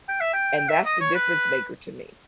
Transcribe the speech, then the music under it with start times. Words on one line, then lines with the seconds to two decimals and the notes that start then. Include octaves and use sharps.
And that's the difference maker to me.
0.08 G5
0.21 E5
0.33 G5
0.58 G5
0.69 E5
0.85 D#5
1.00 C#5
1.15 B4